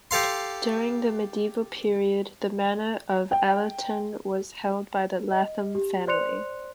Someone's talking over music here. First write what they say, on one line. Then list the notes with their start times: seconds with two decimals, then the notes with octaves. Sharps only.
During the medieval period the manor of Allerton was held by the Lathom family.
0.11 G4 A4 F5 C6
3.31 G5
5.32 D#5
5.75 G4
6.07 C5 D5 C6 F#6 C#7 F7